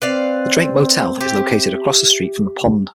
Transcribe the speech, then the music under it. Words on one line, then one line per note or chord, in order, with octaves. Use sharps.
The Drake Motel is located across the street from The Pond.
C4 B4 D5 F5
G4 E5